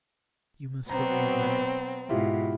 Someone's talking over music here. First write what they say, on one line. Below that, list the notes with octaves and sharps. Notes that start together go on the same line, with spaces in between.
"You must go in now!"
B2 F#3 B3 C4 A#5
G#2 B2 E4 F4 G4